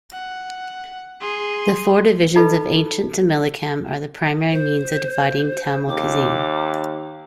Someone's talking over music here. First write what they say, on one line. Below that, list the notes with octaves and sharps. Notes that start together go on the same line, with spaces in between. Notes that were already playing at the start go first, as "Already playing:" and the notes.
The four divisions of ancient Tamilakam are the primary means of dividing Tamil cuisine.
F#5
G#4 C6
D#4 F4 A4 B4
C5
D#2 D6